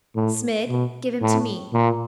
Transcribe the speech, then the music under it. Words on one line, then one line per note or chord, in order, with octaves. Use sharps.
Smid, give him to me.
A2
B2
A2
A#2